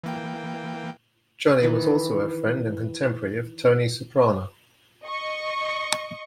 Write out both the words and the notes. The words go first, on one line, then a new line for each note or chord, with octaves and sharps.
Johnny was also a friend and contemporary of Tony Soprano.
E3 A#3 G5
D#3 E3 B4
D#5 C#6